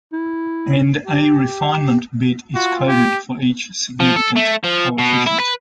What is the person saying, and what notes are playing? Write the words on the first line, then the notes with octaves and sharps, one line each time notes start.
And A refinement bit is coded for each significant coefficient.
E4
G4
F4 F#4
G4
F3
A4
A3
F3
B2
E4
B4